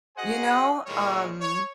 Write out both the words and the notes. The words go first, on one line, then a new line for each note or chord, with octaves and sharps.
you know? Um,
F#4 G#4 C5 D#5 F#5 G#5
A#2 D#3 E3 G3 G#3 C#5
C#5